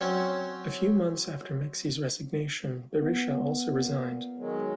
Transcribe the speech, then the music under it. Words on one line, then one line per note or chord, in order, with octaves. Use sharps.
A few months after Meksi's resignation, Berisha also resigned.
F#3 C4 C#4
B3
A#2
D#3 F#3 G#3